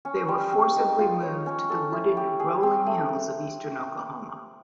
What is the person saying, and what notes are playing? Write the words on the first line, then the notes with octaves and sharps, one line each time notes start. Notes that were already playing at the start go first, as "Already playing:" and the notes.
They were forcibly moved to the wooded, rolling hills of eastern Oklahoma.
C#4
G3
C4
D#4
F4
C#5
C#4
A4
E4
G4
G#4
C4
A3